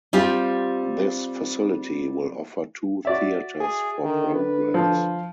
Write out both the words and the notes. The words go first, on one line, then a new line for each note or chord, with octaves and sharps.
This facility will offer two theaters for programs.
G3 C4 F4 G4
F#4 D5 E5
G#4
D3 D#3
B4
F3